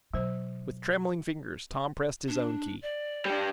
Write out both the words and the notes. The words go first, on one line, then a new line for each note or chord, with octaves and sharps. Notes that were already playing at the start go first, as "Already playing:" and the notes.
With trembling fingers Tom pressed his own key.
B2 F#3 C5
D4
D5
G2 G3